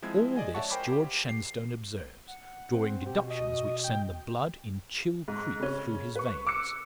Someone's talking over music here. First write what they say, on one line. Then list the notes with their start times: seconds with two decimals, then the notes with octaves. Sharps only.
All this George Shenstone observes, drawing deductions which send the blood in chill creep through his veins.
0.02 F3 G#3 C4 E4 G#6
0.36 G#4 D5 D#5 G#5
0.54 C#5 D5 E5 F#5 A5 C#6
0.70 A#4 C5 G5 G#5 B5 D6
0.93 G4
1.29 C7
2.28 F#5
2.73 C4
3.06 B2 G4
3.30 D#5
3.84 G5
5.28 G#2
5.60 C#3 C#4
6.16 B4 C#6
6.47 D6 E6 F#6 C#7